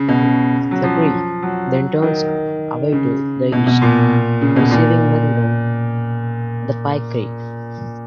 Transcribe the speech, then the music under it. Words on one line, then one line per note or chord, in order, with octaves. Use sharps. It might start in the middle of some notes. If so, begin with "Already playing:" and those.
The creek then turns away to the east, receiving Middle Run and Pike Creek.
Already playing: C#3
B2
C#3
F#3
F3
F#3
D#3
C#3
B2
B2
A#2
C#3
B2
A#2